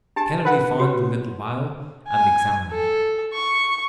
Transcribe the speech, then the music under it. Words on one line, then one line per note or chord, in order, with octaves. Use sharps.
Kennedy found the little vial and examined it.
D4 G4 G#5 A5
A#4 B4 E5 F#5
F#4 G4 C#5
G#5
A4
C#6